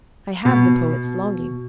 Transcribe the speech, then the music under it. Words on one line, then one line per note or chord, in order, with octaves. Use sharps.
I have the poet's longing.
B2